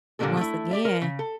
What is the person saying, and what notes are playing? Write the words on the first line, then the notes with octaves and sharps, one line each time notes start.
once again
A#2 D3 G3 A3 A#3 A4
A3 E4
G4 D5 E5
A#4
C#3
A4